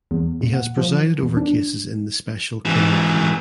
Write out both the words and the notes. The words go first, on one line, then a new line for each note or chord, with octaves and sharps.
He has presided over cases in the Special Criminal Court.
E2
A#2
F#5
F3
E2
D4
G#2 E3